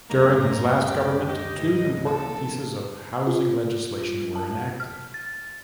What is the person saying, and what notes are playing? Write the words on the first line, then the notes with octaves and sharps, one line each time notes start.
During his last government, two important pieces of housing legislation were enacted.
C#2 F#2 G#3 A#3 A#5
G4
G4 D#5
C#2 G#2 E3
D3 F3 A#3 A4
F4
A5
F6
A6